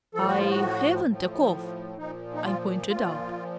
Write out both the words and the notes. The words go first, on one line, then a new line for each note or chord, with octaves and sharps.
"I haven't a cough," I pointed out.
A2 F3 A4
F#4
F4
F#4
A2 F3
A#2 F3 D#4
D#4
F4
A#2 F3 F4